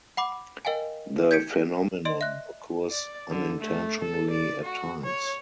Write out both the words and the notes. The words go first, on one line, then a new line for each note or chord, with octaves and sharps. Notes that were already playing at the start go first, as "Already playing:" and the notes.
The phenomenon occurs unintentionally at times.
F#5 B5 D6
A#4 D#5 F5 G5 G#5
G6 G#6 B6 C#7 D7
D5 D#5 C6 D7
E5 F#6
D5
D3
A3
A4
D5
F#4
C#5